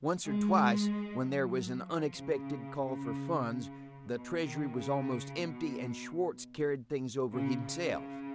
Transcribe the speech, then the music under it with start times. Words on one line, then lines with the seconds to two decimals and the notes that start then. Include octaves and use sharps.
Once or twice, when there was an unexpected call for funds, the treasury was almost empty, and Schwartz carried things over himself.
0.25 G#3
1.22 F#3
1.87 F3
2.19 C#3
2.82 C#3
3.46 C#3
4.10 B2
4.43 D#3
4.75 C#3
5.40 B2
7.32 C#3
7.65 C#3